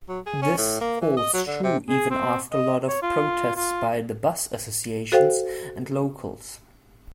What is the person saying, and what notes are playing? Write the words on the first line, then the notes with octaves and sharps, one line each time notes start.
This holds true even after lot of protests by the bus associations and locals.
F#3
G#4
C#4
A2
A#3
E3
D#5
F#3
D3
C3
G#4
C4
D#5
C#5
F4
F4
F#4 A4 C5 F5 G5